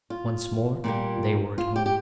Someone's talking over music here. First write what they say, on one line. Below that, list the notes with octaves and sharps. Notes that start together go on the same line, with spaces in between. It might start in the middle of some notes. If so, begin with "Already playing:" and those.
Once more they were at home.
F4
A#2 G3 A#3
F4
G4
G4